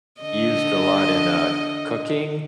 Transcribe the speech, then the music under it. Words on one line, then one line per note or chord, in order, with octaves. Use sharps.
used a lot in, uh, cooking,
D3 D#5